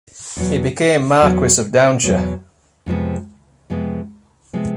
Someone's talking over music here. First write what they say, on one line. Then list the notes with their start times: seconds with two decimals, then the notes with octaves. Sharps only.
He became Marquess of Downshire.
0.37 E2 B2 F#3 B3
1.21 E2 B2 F#3 B3
2.03 E2 B2 F#3 B3
2.86 F2 C3 F3 G#3 B3
3.70 F2 C3 F3 G#3 B3
4.53 C3 F3 G#3 B3